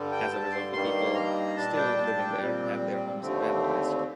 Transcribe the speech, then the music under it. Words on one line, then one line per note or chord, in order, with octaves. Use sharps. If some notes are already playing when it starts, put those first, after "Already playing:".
As a result, the people still living there had their homes vandalized.
Already playing: G2 D3 G3
G5
A5
C6
G2 D#3 G3 A#3 C6
A#5
A#2 G3 D4 A5
G5
A5
G5
A#2 G3 C4
D#2 D3 A3 C4